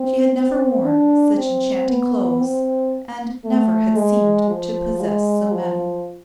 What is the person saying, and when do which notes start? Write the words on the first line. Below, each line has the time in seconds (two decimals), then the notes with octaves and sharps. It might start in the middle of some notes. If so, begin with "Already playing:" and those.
She had never worn such enchanting clothes and never had seemed to possess so many.
Already playing: C4
0.34 C4
0.84 D4
1.36 C4
1.89 B3
2.41 C4
3.45 A3
3.96 G#3
4.49 F3
5.01 G#3
5.52 F3